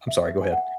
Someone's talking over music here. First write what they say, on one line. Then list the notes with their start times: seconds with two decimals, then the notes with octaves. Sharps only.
I'm sorry, go ahead.
0.08 E5
0.41 G#5
0.52 F#5